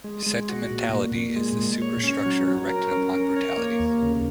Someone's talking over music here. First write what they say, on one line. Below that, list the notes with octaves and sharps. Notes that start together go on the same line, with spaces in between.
Sentimentality is the superstructure erected upon brutality.
G#3
G#3
F#4
A#2
A#2
A#2
G#3
A#2
C#5
C#4
F#3
F#3
A#4
C#4
A#4
C#5
A#3
D#2
C#3